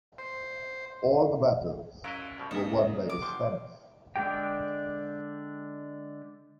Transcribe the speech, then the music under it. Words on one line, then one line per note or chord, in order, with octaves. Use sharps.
All the battles were won by the Spanish.
C5
F#2 F#3 E4 D#5 F5 D7
C2 B2 G3
C#3 A#3 A4 D#5 E5
D6
G1 C3 F3 F#5 C6
D3 G#3 D4 G4 G5